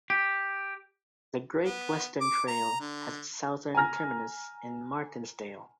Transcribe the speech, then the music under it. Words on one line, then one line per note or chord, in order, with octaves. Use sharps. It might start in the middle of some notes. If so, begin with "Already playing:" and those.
The Great Western Trail has its southern terminus in Martensdale.
G4
B3
D6
A#5
D3
G#5 A#5 F6 A#6